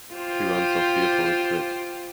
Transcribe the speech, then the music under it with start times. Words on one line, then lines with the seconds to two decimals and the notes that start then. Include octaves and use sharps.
She runs so fearfully quick.
0.14 F4 G4 C5